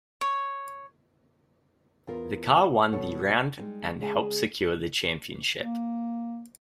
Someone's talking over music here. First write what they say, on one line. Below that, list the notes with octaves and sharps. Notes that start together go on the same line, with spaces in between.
The car won the round and helped secure the championship.
C#5
E2 F4 A#4
B2 F3 G3 F#4 A4 C#5
G3 G#3 A#3 D#4
C#3 G#3 G#4
A#3